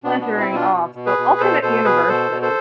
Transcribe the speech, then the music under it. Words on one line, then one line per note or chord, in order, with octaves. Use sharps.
Splintering off; so, alternate universes,
B2 B3 D4
B3 D4
B2
C4 E4
B2
D4 F4
B2
B2
G#4 B4
B2
B2 A4 C5
B2 A4 C5
B2 G#4 B4
B2 A4 C5
B2
A4 C5